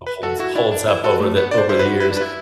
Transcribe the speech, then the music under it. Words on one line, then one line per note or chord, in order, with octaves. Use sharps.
holds holds up over the over the years.
B4
F#4 A4
E4 F#4
D4 E4
D4
E4
F#4 A4
A3
B3 B4
D4 D5
C5
E4 C5
B4
F#4
E4 B4
D4
B4
E4